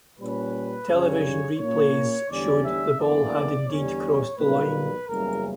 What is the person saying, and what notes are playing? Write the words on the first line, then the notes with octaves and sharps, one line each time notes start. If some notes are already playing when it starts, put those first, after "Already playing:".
Television replays showed the ball had indeed crossed the line.
A#2 G3 C#4 B4
F#2 C#3 G3 C#5
A#2 A#3 C#4 C#5
E2 D3 G3 C#4 D5
E5
F#1 E2 D3 A#3 D5
E2 D3 G3 C#4 C#5
B1 A#2 G3 A#3 B4
F#1 E2 C#3 G3 A#4